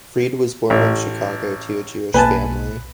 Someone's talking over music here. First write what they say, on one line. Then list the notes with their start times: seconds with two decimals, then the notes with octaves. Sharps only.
Freed was born in Chicago, to a Jewish family.
0.70 A1
2.14 B1 A#3 B4 G#5 A5